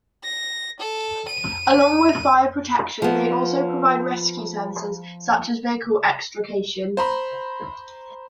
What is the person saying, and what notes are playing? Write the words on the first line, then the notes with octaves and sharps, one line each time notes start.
Along with fire protection they also provide rescue services such as vehicle extrication.
A#6
A4
D#7
F3 B3
C5 A#5 B5